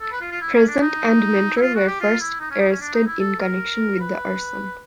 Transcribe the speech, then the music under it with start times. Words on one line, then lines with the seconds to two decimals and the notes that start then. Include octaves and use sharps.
Present and Mentor were first arrested in connection with the arson.
0.01 A4
0.12 B4
0.21 F4
0.31 F4
0.41 E4
0.54 C#4
0.67 D4
0.81 D#4
1.57 E4
1.61 F4
1.75 F#4
1.88 G4
2.01 F4
2.20 E4
2.40 D#4
2.51 C#4
2.60 D#4
2.70 C#4
2.80 D4
2.94 D#4
3.07 E4
3.20 A4
3.39 A#4
4.00 B4